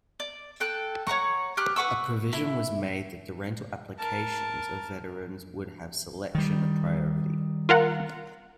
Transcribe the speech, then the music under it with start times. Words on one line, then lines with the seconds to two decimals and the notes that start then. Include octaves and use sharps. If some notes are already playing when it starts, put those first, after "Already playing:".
A provision was made that the rental applications of veterans would have selection priority.
0.20 D5
0.60 A4 G5 F#6
1.07 C#5 F#5 A#5 C#6
1.57 G4 F6 F#6
1.76 B4 F#5 C#6 E6
2.33 E4
3.98 A#4 A5
6.35 D#3 G3
7.69 F4 A#4 F#5